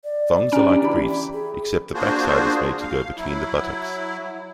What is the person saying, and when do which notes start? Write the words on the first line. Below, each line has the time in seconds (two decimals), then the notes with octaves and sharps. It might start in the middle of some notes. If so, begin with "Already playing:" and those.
Thongs are like briefs, except the backside is made to go between the buttocks.
0.04 D5
0.52 C#4 D4 G4 A#5 D7
0.81 E3 G4 B5
1.33 G#4
1.94 A#3 D4 F4 F#4 G#4 C5
2.81 F5
3.18 F#3 E4